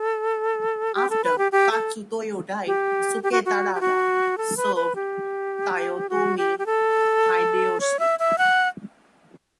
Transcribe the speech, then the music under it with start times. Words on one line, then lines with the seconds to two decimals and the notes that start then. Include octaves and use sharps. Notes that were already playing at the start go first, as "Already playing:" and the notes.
After Katsutoyo died, Suketada served Toyotomi Hideyoshi.
Already playing: A4
0.95 G4
1.10 A4
1.24 B4
1.38 G4
1.52 G4
1.71 A4
2.67 G4
3.23 G4
3.32 F#4
3.46 F#4
3.74 G4
3.81 F#4
4.38 A4
4.57 B4
4.76 B4
4.96 G4
6.09 F#4
6.38 G4
6.59 G4
6.66 A4
7.80 C#5
7.99 E5
8.19 E5
8.38 F#5